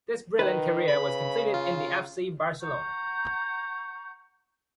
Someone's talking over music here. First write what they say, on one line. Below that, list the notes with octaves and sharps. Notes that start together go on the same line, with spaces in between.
This brilliant career was completed in the FC Barcelona.
D#3 B4
C#3 B5
F4
F#5 A#5 C#6 G6